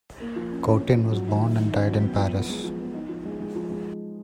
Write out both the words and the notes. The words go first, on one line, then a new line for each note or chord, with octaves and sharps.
Cotin was born and died in Paris.
A#3
F3
C#4
C#4
C#4
F3
F#3
D#3
D#3
D#3
C#4
F#3
B3
F3
B3
G#3
F3
B3
D#4
F3
G#3
G#3
F3
G#3